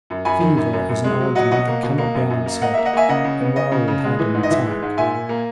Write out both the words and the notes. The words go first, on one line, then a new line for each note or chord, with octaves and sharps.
Fever is an argument that cannot be answered, and Raoul had an attack.
F#2
F#2 G#5 B5
D#3
F#2
F#2
F#2
G#3
F#3
F#3 D#5 F#5
B2 D#5 F#5
A#3
B2
A#3
F#2
F#2
A#3
A#3 D#5 F#5
A#3 E5
D#5 F#5
A#3 E5 G#5
C#3 D#5 F#5
C#3
B3
C#3 D#5
C#3
C#3
G#3
E3
G#2
D#5
E3 E5
G#3
G#2
A#2 E5 G#5
A#2
A#3